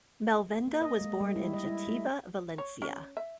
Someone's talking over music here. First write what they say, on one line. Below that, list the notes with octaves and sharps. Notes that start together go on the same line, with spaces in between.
Malvenda was born in Jativa, Valencia.
A#3
D#5
G#3
G3
E4
D#5
E4
A3
C#5
C#4
E5